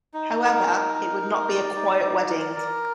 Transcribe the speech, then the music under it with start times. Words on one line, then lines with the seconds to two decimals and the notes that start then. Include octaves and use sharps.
However, it would not be a quiet wedding.
0.14 D#4
0.41 A#4
0.68 D#4
0.95 A#4
1.22 D#4
1.48 D5
1.75 D#4
2.02 D5
2.29 A#4
2.56 A#4